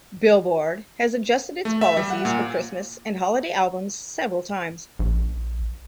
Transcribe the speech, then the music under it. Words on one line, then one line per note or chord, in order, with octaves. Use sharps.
"Billboard" has adjusted its policies for Christmas and holiday albums several times.
A3
E5
G3
F#5
A#2
A#1